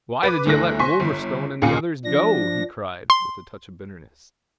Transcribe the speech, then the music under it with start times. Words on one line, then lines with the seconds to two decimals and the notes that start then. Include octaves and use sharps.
"Why did ye let Wolverstone and the others go?" he cried, with a touch of bitterness.
0.23 B4 D6
0.46 G1 D2 A3 E4 F#6 A#6
0.79 C5 G#5 C6 C#6 B6
1.00 G1
1.62 D#2 A#2 C#3 F5 G#5 C#7
2.05 F3 D4 A#6
3.10 C6